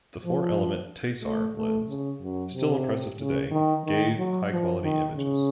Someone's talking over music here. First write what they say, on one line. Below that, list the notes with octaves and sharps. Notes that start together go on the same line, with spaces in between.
The four-element Tessar lens, still impressive today, gave high-quality images.
F3
A3
A3
C#3
F#2
C3
C#3
D#3
D#3
F#3
F3
D#3
C#3